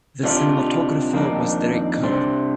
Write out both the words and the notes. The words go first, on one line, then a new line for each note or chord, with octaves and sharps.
The cinematographer was Derrick Cohan.
C3 D#3 G3 D4 F4
F2 D#3 A#3 D4
C3 G3 D4 G4 C5